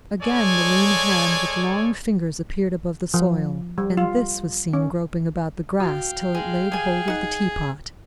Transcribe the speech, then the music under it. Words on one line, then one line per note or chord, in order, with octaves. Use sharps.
Again the lean hand with long fingers appeared above the soil, and this was seen groping about the grass till it laid hold of the teapot.
G#3 A4 C#5 D5 G#5
F3
G3
F4
C#4
F#4 F5 G5
G#3 G#4
G3 G#4 G#5
D#4 F#5